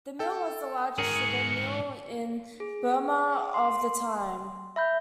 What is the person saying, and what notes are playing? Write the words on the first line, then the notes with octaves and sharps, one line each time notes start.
The mill was the largest sugar mill in Burma of the time.
A4 G5
G#2 F#4 G#4 A#4 C#7
G#4
C6
E5 B5 G6